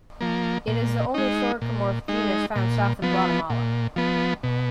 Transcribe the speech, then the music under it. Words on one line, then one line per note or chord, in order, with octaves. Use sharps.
It is the only soricomorph genus found south of Guatemala.
F3 A#3
A#2
G#3 D#4
A#2
G#3 D#4
A#2
F3 B3
A#2
F3 B3
B2